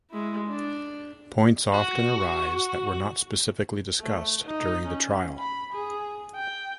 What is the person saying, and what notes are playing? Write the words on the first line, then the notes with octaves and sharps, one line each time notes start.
Points often arise that were not specifically discussed during the trial.
G#3 E4
D4
F#4
A3
D#4
C#4
B5
G#4
G5